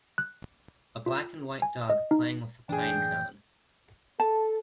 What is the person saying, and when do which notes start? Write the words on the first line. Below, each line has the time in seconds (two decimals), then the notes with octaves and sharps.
A black and white dog playing with a pine cone.
0.18 F#6
1.06 F4
1.62 G#5
1.90 D#5
2.11 D#4
2.69 F#1 A2 E3 D4 G#4 G5
4.20 A4 A5